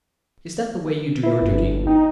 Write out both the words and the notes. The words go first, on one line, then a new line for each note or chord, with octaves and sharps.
Is that the way you do your duty?'
E4 B4
G1
D#4 G5